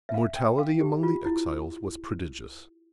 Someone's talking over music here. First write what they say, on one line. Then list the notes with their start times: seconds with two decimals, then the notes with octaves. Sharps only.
The mortality among the exiles was prodigious.
0.09 E5
0.14 F5
0.36 G5
0.58 F5
0.81 G4
1.03 F4
1.26 E4